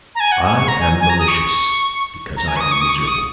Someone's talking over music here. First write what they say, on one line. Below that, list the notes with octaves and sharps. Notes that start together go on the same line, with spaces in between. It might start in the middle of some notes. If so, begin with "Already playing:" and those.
I am malicious because I am miserable.
A#5
G#5
F#5
G#5
C#6
A#5
G#5
G#5
A#5
D#6
C#6
A#5
G#5
C#6
D#6
C#6
D#6
C#6
C#6
D#6